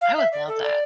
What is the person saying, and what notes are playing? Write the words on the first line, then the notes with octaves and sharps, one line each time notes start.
I would love that.
F5
E5
D5
A4
D5